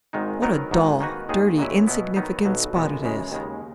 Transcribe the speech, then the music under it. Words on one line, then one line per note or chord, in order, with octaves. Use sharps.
What a dull, dirty, insignificant spot it is!
G#1 G#2 D#3 G#3 D#4
D#3 F#3 B3 D#4 A#4
G#1 G#2 D#3 G#3 D#4
D#3 A#3 D#4 F#4 B4
D#2 D#3 G#3 D#4 G#4
A#2 F#3 C#4 E4
B2 F#3 B3 E4
D#3 F#3 B3 D#4
B1 B2 F#3
B1 A#2 G#3 B3
F#2 C#3 G#3
D#2 C#3 G#3